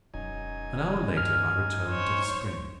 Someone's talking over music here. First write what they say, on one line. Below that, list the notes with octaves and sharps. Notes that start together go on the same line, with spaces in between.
An hour later I returned to the spring.
E1 F#2 D#4 G#5
G2 F6
C5 C#5